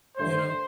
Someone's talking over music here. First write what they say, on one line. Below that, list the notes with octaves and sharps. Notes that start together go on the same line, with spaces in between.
You know
G2 D3 A3 C5